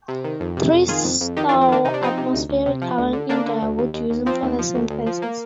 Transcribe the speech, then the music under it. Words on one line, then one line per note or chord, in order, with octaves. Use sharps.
Trees store atmospheric carbon in their wood using photosynthesis.
C3
D#3
F2
C3
F2
D#3 F4 G#4
F2
F2
D#3 D#4 G4
D4 F4
F2
C4
D#3 A#3 D4
C3 D#4
D4
F3 C4 D#4
C3
D2
D2
C3
F3
D2
D3
D3 A#3 D4
D3
D2
D#2
D#2
D#2
F3 C4
D#2
F3
D2
D2
F3
A#3